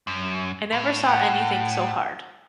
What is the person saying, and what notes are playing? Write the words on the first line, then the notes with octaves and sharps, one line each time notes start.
I never saw any thing so hard.
F#2
A2
F#5 G5